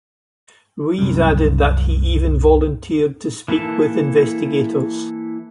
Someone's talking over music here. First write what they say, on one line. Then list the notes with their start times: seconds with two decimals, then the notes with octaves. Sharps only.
Ruiz added that he even volunteered to speak with investigators.
0.98 C2 F#2
3.48 E3 A#3 E4 A4